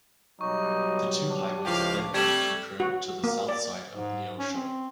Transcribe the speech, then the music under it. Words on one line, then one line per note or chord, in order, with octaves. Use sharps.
The two highways then run concurrent to the south side of Neosho.
B2 F#3 G3 D#4 C#6
D4
C#2 A2 F3 G4 F5
C3 G3 A3 G#6 E7 F#7
F#4
A#3
D5
G#2
C#4
C4